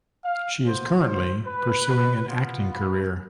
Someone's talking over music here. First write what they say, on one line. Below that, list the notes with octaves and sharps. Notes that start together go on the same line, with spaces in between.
She is currently pursuing an acting career.
F5
B3 F4 C5
C5
B4
B3 F4
B4